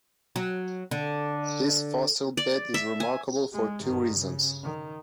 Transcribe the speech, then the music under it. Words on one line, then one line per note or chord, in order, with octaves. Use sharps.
This fossil bed is remarkable for two reasons.
F#3
D3
D5
E5
G#5
G#3
G2 D#3
C#3
D#3